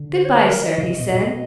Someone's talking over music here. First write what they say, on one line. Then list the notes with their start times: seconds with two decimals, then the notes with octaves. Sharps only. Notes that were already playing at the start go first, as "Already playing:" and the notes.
'Good-bye, sir,' he said.
Already playing: D3
0.15 C5
0.25 C#5
0.35 B4
0.49 A#4
0.64 D#5
0.78 C#3
0.88 C3
0.99 B2
1.10 A#2
1.21 B2